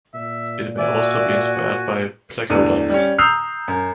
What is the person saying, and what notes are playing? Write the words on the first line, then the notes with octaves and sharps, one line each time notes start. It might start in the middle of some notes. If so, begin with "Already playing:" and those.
It may also be inspired by placodonts.
A#2 E5
F#4 D5 E5 G#5
E2 A2 D3 D#7
G3 C#4
A#5 D#6 E6 G6 C7 F7
F#2